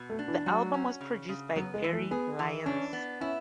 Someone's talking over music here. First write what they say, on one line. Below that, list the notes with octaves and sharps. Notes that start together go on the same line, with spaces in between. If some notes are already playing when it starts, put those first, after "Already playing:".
The album was produced by Gary Lyons.
Already playing: B2
A3
D4
E3
F#3 F#4
C#4
C#3
C#3
F#3 B3
G#3
E3
A3
B3 G#4
E3
C#4 D4
B3
C#4 E4